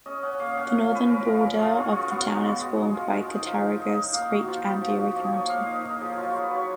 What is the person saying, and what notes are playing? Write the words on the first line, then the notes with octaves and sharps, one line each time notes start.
The northern border of the town is formed by Cattaraugus Creek and Erie County.
C#4 D#5
C#4 F#5
A#3 F5
C#4 F#5
F3 F5
C#4 B4
C#4 A#4
F3 A#4
B4
C#4 A#4
F4 G#4
F4
A#4
F4 G#4
B3 F#4
G#3
F#4
B3
G#3
G#3
F4
G#3 A#4
D#4
F3
D#4
D#4
D#5
D#4
A#3 F5
D#4 F#4
F#4
F3 F4
D#4 F#4
F3
F3
A#3 D#5
F3 C#5
A#3 F5
D#4 D#5
D#4
A#4
F3 G#4
F#3 F4
F4 F#4
B4
F#3 C#5